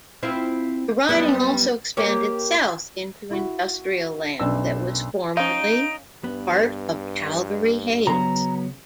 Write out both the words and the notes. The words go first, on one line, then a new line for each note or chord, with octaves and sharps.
The riding also expanded south into industrial land that was formerly part of Calgary-Hays.
C4 E4 F4
F#2 G3 B3
A#3 G4 C#5
E4 F#4
B1 F#2 D4 E6
C#4 D#4 F5 D7
G2 B3
C#3 F#3 B3 A#5 C6